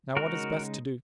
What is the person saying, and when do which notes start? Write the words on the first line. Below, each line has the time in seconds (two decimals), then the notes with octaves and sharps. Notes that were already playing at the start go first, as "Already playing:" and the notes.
Now what is best to do?
0.16 C#3 G#3 D#4 F#4 A#4